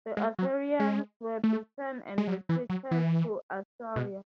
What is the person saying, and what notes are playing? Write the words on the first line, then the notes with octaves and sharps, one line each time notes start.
The Assyrians were beaten and retreated to Assyria.
G#3
F#3
G#3
A3
G#3
F#3
E3
F#3
E3
B2